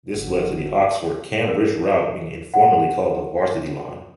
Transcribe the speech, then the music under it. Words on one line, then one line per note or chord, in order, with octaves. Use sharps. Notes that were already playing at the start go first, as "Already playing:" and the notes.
This led to the Oxford - Cambridge route being informally called the Varsity line.
G1 F#4
A#4
F#5